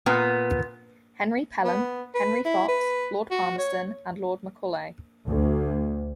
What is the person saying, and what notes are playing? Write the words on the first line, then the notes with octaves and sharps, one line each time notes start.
Henry Pelham, Henry Fox, Lord Palmerston and Lord Macaulay.
A#2 B3
B3
B4
E4
B4
F#4
C#5
D2